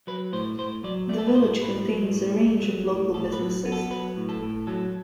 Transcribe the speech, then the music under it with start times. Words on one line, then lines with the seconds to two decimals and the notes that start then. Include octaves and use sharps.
The village contains a range of local businesses.
0.07 F#3 B4
0.33 A2 C5
0.58 A2 C5
0.84 F#3 D5
1.09 A3 D5
1.18 A4
1.27 B4
1.35 A2 C5
1.61 A2 B4
1.87 F#3
2.12 A2
2.37 A3
2.63 F#3
2.89 A2
3.14 A2 A4
3.33 B4
3.39 F#3
3.65 B3
3.72 A4
3.90 F#3 B4
4.17 A2
4.29 A4
4.42 A2
4.67 F#3 A4